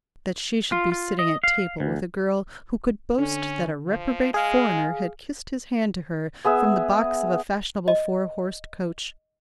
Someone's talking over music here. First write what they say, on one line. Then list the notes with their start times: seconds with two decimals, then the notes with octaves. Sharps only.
That she should be sitting at table with a girl who could boast that a reprobate foreigner had kissed his hand to her from the box of a fashionable four-horsed coach!
0.72 F4
0.92 F4
1.19 D#5
1.44 F5
1.80 D2
3.19 D3 C#4
3.88 F3
4.34 G#3 G#4 F5
6.45 B3 G#4 E5
7.88 D#5